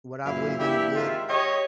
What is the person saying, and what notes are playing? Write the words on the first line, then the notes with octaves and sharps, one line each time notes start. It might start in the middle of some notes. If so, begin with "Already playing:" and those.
What I believe in is good
F#2 A#2 C#3 E3 E4 F5
E3 A#3 D4 E4 G4
G#2 C3 D#3 G#3 F4 E5
G4 C#5 D#5